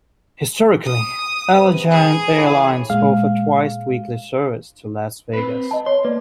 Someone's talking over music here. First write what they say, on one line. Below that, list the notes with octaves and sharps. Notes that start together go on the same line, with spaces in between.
Historically, Allegiant Airlines offered twice weekly service to Las Vegas.
D#6
C3 B4
G#4
A2 C#3 E3
A#2 G#3 F5
C4 B4
D#5 A5
C#5 C6
A#3 B4 D5